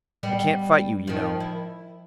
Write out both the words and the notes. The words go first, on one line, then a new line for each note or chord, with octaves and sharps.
I can't fight you, you know.
G3 B3 G4
D#3 F3
E4